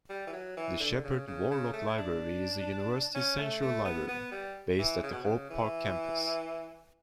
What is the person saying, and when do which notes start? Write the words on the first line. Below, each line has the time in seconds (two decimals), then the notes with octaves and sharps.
The Sheppard-Worlock Library is the university's central library, based at the Hope Park campus.
0.10 G3
0.27 E3
0.33 F#3
0.57 E3
0.80 D3
1.04 C#3
1.27 C#3
1.51 C#3
1.73 A3
1.87 E4
1.98 D4
3.15 C#4
3.38 A3
3.62 A3
3.85 B3
4.08 B3
4.32 G3
4.79 E3
5.03 C#3
5.13 B2
5.24 C#3
5.50 E3